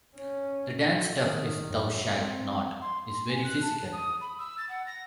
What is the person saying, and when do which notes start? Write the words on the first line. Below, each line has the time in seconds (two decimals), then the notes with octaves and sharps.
The dance stuff in "Thou Shalt Not" is very physical.
0.15 C#4
0.72 A#2
1.17 D#3
1.66 F#2
2.10 C4
2.82 C6
3.08 C6
3.29 G#5
3.44 F#6
3.62 A5
3.92 D#6
4.21 B5
4.39 E6
4.58 A6
4.69 F#5
4.87 A#6